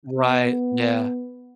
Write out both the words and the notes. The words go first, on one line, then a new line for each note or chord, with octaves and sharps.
Right, yeah.
B3